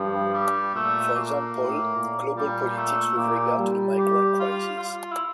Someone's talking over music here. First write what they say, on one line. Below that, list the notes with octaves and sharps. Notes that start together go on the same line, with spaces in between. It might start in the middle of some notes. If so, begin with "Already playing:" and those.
For example- glocal politics with regard to the migrant crisis.
Already playing: G2 F3
G3
A#2 A3
A#3
A2
A#2
A#2 G3
A3
A#2 G4
G3
G4
F4
F4
E4